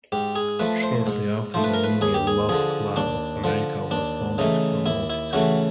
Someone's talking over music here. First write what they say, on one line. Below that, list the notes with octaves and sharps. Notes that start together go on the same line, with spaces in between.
Shortly after, the Mini Lop Club of America was founded to promote it.
G#2 G4
G#4
F3 A3 B4
C5
G#2
F3 A3 C5
B4
A#4
B4
D#2 G#4
G4
G#4
D3 F3 G#4
D#2 D4
D3 F3
D#2 D4
C#3 E3 A3 D#4
D#2 E4
E4
C#3 E3 A3 F#4